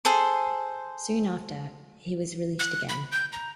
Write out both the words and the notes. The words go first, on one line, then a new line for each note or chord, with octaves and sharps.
Soon after, he was released again.
G#4 A4 C5 C6
F#6
B5
G6
A#5